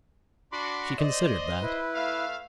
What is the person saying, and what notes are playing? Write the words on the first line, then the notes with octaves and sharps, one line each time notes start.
She considered that.
D4 F#4 B5 C6 D6
C5 D5 D#5
E4 B4
A3 E5 F5